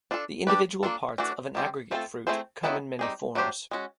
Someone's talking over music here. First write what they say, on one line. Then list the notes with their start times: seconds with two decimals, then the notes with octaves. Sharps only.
The individual parts of an aggregate fruit come in many forms.
0.11 D4 F4 A4
0.47 D4 G4 B4 D5
0.83 A#3 D4 F4 A4
1.18 E3 A3 D4 F#4
1.55 D#3 G3 C4
1.91 A3 C4 F4 A4
2.27 A3 C4 E4 G#4 C5
2.63 D#3 F#3 B3 E4 A4
2.99 G3 C4 D#4 G#4
3.35 F#3 A3 D4 G4 C5
3.71 G#3 C#4 F#4